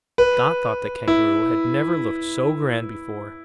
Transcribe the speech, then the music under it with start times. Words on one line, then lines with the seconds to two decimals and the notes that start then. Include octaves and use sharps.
Dot thought the Kangaroo had never looked so grand before.
0.18 B4
1.08 E4